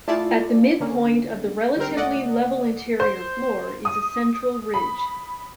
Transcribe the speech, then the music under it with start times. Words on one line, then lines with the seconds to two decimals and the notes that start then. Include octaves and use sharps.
At the midpoint of the relatively level interior floor is a central ridge.
0.08 A3 E4 F4 G#4 D5 A5
0.80 D3 A#3 C#4
1.76 D3 G3 C4 A#4
1.96 C#2 A3 D5 D#5 F#5
3.00 C5
3.85 D#6
4.74 B5